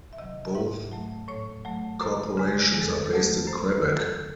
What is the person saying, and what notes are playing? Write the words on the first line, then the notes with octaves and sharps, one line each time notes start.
Both corporations are based in Quebec.
E5
C3 D#3 F#3 D#5
G#2 E5
F#3 A3
A2 C#5
F#3 A3
F#2 C5
C#3 G#3
E2 G#4
A4
G#4
A4
D#3 F#3 A3 C5
F#2 C5
A4
C5
C#3 F#3
A4